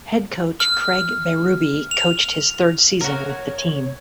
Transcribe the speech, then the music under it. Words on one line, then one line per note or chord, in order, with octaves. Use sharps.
Head coach Craig Berube coached his third season with the team.
F6
F7
F#4 A#4 C#5